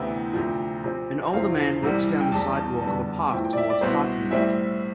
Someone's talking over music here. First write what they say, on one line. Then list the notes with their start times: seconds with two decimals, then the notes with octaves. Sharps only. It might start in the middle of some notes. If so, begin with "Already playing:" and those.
An older man walks down the sidewalk of a park towards parking lot.
Already playing: D2 C3 E3 B3 E4 G5
0.33 D2 C3 F3
0.84 C3 F3 C4
1.33 E2 C3 F3 C4 E4 F5
1.82 C2 C3 E3 G3
2.21 G5
2.32 E2 C3 G3 A5
2.82 F2 D3 G3 B3
3.32 A2 F3 C4 E4 G5
3.45 G5
3.53 D5
3.57 E5
3.70 D5
3.81 C2 B2 B3 E4 C5
4.31 A2 G3 C4 E4 E5